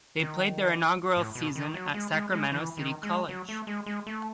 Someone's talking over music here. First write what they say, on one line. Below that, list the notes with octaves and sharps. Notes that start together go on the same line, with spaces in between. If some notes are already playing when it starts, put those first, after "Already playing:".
They played their inaugural season at Sacramento City College.
D#3
A2
B2
D#3
F#3
G#3
G#3
G#3
E3
D#3
G#3
F#3
A3
G#3
G#3
A3